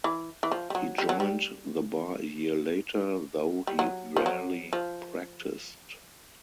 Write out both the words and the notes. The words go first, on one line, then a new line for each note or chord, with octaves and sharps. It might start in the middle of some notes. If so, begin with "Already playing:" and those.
He joined the bar a year later, though he rarely practiced.
E3
E3
F3
G3
F#3
G3
F#3
G3
G3
F#3
F3
F#3
F3